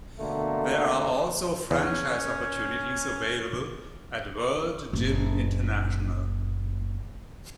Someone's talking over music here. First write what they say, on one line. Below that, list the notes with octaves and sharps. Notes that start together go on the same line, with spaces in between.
There are also franchise opportunities available at World Gym International.
B2 D3 A3 A#3
E2 C#4
F#1 A#2